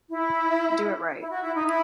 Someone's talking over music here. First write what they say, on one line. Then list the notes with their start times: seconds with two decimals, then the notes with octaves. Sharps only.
Do it right.
0.10 E4
1.19 E4
1.31 F#4
1.43 E4
1.55 D#4
1.67 E4